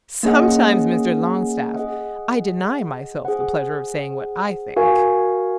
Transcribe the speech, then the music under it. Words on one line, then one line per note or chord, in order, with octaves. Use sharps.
"Sometimes, Mr. Longstaff, I deny myself the pleasure of saying what I think."
A#3 C#4 G#4 D#5 F#5
G#4 D#5 F#5
G#4 C5 F#5
F#4 A#4 F5 G#5